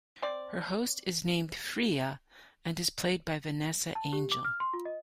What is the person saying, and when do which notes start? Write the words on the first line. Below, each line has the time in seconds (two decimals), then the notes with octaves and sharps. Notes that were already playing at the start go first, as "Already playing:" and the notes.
Her host is named Freyja, and is played by Vanessa Angel.
0.22 C4 D5
3.95 A5
4.13 G4
4.31 D6
4.45 F6
4.60 C6
4.73 F4
4.85 D#5